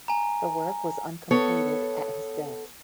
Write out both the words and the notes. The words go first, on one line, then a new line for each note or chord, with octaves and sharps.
The work was uncompleted at his death.
G#5 A#5
B3 A4 C#5